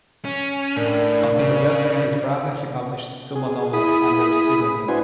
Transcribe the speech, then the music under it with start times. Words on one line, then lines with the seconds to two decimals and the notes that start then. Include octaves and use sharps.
After the death of his brother, he published two more novels under a pseudonym.
0.25 C#4
0.76 A2 D4 A#4 D5
1.38 C#3
3.35 G#4
3.73 E4 G#4 B5 D#6
4.88 D4 E4 F#4 B4 C5 G#5